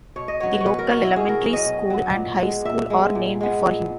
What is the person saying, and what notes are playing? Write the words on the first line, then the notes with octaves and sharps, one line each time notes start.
The local elementary school and high school are named for him.
B2 C#5
D#5
F#3 B3 C#5
B4
C#5
B2 B4
A#4
F#3 B3 F#4
E4
B2 G#4
A#4
F#3 B3 C#5
D#5
B2
F#3 B3
A#2
G#3 B3
A#2 E5
G#3 B3
A#2
G#3 B3
A#2